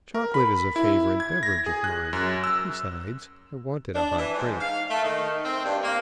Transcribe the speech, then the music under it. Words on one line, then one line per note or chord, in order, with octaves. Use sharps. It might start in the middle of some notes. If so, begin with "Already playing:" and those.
Chocolate is a favorite beverage of mine; besides, I wanted a hot drink.
A#4
B5
E4
G#6
A#6
G#4
F#6
F#2
E6
D4
E3
G#2
F5
A3
D#3
C4
G2
A#3